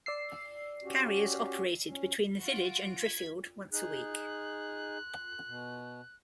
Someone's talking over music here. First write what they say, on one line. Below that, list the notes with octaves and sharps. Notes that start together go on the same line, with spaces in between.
Carriers operated between the village and Driffield once a week.
D5 E6 C7
C#4 F#4 G4
C#4
F4 F#4 D7
G#6 B6
D#4 G#4 F#6
B2